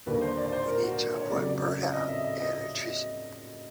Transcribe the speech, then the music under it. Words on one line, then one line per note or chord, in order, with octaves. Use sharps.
We need to avoid burnout and attrition.
D#2 D3 G3 A#3 B4
C5
D5
C5
A#4
F#4
C#5
F2 C#3 F#3 A3 D5
D5
D#5
E5
D#5
D#5